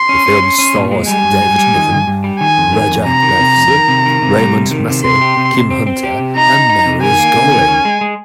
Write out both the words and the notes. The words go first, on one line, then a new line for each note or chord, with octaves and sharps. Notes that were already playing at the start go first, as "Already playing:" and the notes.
The film stars David Niven, Roger Livesey, Raymond Massey, Kim Hunter and Marius Goring.
Already playing: C6
C#4
C#4
C#4
C#4
A#2
G#3
G3 G#5
G2
G3
G3
D#3
G2
G2
G3
D#3 G#5
F2
D#3
F2
C3 A#5
D#3
C3
F2
D#3
C3
D#3
C3
G3
C3
D#3
C3
C3 C6
G4
C3
C3
C4
C4
G4
C3
D#4 A#5
D#4
D#4
C3
D#3 G#5
A#3
C3
D#3
C#4
G#3
G#3